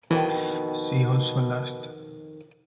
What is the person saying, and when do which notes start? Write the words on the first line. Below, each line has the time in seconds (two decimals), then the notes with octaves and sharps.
See also Lust.
0.11 F2 B2 D#3 E3